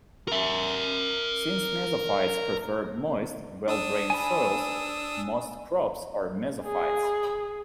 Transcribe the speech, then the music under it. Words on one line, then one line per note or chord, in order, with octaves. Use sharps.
Since mesophytes prefer moist, well drained soils, most crops are mesophytes.
A#4 E5
D4 D#6 E6
G#5 B5
G#4